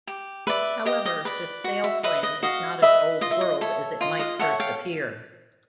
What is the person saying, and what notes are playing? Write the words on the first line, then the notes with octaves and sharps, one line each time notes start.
However, this sail plan is not as old-world as it might first appear.
G4
B4 D5 E5
G4 D#5
D#5
B4 D5
F#4
E5
B4 D#5 E5
D#5
F#4 D#5 F5
B4 D#5 E5
F4 D#5
E5
D#5
A4 C#5 E5
F4 D#5
D#5 F5
A4 C#5 E5 F#5
F5 G5